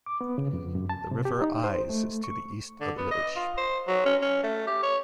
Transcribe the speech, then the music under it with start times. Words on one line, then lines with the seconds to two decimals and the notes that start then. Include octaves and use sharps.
The River Ise is to the east of the village.
0.06 D6
0.21 B3
0.38 C#3
0.53 F2
0.75 F#2
0.89 A5
1.11 C3
1.25 G4
1.42 D#4
1.64 C5
1.89 A3
2.24 C#6
2.81 D3
2.98 B3
3.11 D#5
3.36 F4
3.57 C5
3.88 F#3
4.05 C#4
4.22 C#4
4.43 A3
4.67 G4
4.83 C#5